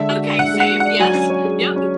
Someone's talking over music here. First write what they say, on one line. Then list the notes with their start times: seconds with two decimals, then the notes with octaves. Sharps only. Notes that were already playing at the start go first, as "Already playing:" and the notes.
Okay, same, yes. Yup.
Already playing: D3 G#3 E5
0.09 F#4
0.24 D4
0.39 D3 F#5
0.54 G#3
0.60 F#5
0.70 F#4
0.80 D4 F#5
0.99 F#3 G#5
1.15 C#4
1.30 C#5
1.45 G#4
1.61 F#3
1.76 C#4